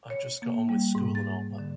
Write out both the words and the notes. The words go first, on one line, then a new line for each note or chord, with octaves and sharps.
I just got on with school and all that.
C#5
A#3
G3
G#2
A6
D3